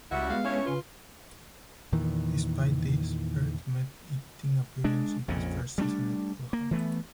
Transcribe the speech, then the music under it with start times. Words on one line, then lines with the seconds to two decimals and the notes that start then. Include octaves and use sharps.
Despite this, Baird made eighteen appearance in his first season at Fulham.
0.12 C#2 G3 E4 F#4 E5
0.30 G#3 B3 F5
0.44 G2 C#4 E4 C#5
0.66 C#3 F4 B4
1.93 E2 A#2 D#3 E3
4.84 G#3 D4
5.28 A#1 F2 A#2 C#3
5.78 G3 A3 A#3 D4
6.53 A#3
6.71 E3 A3 B3